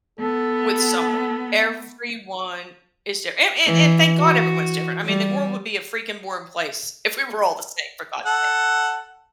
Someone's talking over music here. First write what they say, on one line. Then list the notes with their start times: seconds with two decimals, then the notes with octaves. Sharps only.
with someone. Everyone is different, and and and thank God everyone's different. I mean, the world would be a freaking boring place if we were all the same for God's sake.
0.20 B3 A4
3.65 E3
4.19 F#4
5.06 G3
8.26 A4 F#5